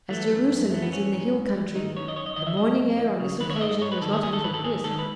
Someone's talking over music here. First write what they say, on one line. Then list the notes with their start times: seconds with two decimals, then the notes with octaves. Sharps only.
As Jerusalem is in the hill country, the morning air on this occasion was not a little crisp.
0.10 E3 A3
0.31 F#2
0.51 F#2
0.72 E3 A3
0.82 B3
0.92 E3 C#4
1.13 G#2
1.34 G#2
1.54 E3
1.76 D#3 D#4
1.96 F#2 C#5
2.08 D#5
2.16 F#2 C#5
2.26 D#5
2.36 D#3 D#5
2.47 E5
2.57 F#2 D#5
2.78 F#2
2.99 E3
3.20 C#3
3.40 D#3 B4
3.50 C#5
3.56 E5
3.61 G#2 D#5
3.71 D#5
3.81 G#2 C#5
3.92 B4
4.01 D#3 A4
4.13 G#4
4.23 D#3 G#4
4.33 A4
4.44 G#2 B4
4.54 A4
4.63 G#2 G#4
4.84 D#3 A4
4.99 B4